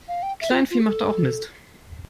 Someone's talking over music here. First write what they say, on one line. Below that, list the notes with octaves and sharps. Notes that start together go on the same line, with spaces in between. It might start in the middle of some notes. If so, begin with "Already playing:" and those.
Kleinvieh macht auch Mist.
F5
G5
E5
F4
F4
A4